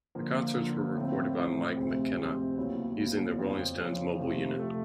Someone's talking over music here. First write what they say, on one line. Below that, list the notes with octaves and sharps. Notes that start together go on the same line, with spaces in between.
The concerts were recorded by Mike McKenna using the Rolling Stones Mobile unit.
D3 F3 A#3
D3 F3 A#3
A2 F3 A3 C4
A2 F3 A3 C4
D2 C3 F3 G#3 C4
D2 C3 F3 G#3 C4
D#2 C#3 F#3 B3 E4
D#2 C#3 F#3 B3 E4
F2 C#3 F3
F2 C#3 F3
C3 F3 A3
C3 F3 A3